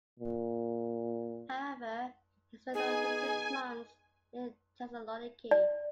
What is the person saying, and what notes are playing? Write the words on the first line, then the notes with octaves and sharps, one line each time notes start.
However, he spent only six months in Thessaloniki.
A#2
B3 D#4 G#4 G#5
D5